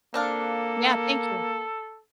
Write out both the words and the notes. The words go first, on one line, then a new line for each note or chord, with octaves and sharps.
Yeah, thank you.
A#3 C4 D4 A4 F5